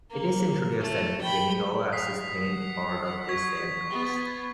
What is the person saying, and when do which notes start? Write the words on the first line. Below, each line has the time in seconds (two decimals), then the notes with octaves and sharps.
It is introduced at the beginning over a sustained chord of these same notes.
0.10 A#3
0.80 A3
1.21 G5 B5
1.92 D#6 B6 C7
2.49 F#5
3.29 C#6 G#6 B6
3.90 B3